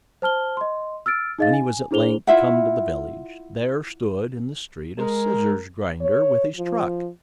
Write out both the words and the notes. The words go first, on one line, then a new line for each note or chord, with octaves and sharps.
When he was at length come to the village, there stood in the street a scissors-grinder with his truck.
C5 A5 F6 G7
D#5 C6
E6 F6 A6 D7
D#4 G#4 D#5 F5 A6
G#5
D4 E4 G#4 C5 F7 G7
E4 F4 E5 F#5
G#3 A#4
C#5
F3